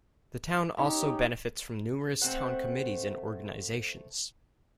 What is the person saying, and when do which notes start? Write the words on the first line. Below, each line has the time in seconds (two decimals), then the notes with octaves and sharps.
The town also benefits from numerous town committees and organizations.
0.78 C#4 D#4 G4
2.22 A3 C4 C5 F#5